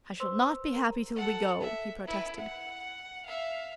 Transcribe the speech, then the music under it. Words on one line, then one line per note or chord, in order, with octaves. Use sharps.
"I shall not be happy till we go!" he protested.
B4 C5 C6 E6
A#4 A#5
A4 F#5
E5
E4 B4
F#5
E5 F5